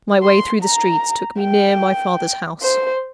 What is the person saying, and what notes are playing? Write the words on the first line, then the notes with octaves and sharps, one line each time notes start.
My way through the streets took me near my father's house.
C6
A#5
G5
C5